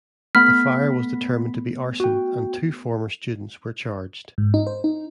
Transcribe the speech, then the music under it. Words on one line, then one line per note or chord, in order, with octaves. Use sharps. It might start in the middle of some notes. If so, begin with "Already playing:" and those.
The fire was determined to be arson, and two former students were charged.
A3 B3 F#5 B5 F6 B6
F#4 G5
G#2
D#4
C5
D#4